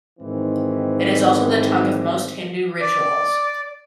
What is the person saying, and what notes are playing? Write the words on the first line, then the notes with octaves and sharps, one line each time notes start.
It is also the tongue of most Hindu rituals.
G#2 D#3 E3 C4
D5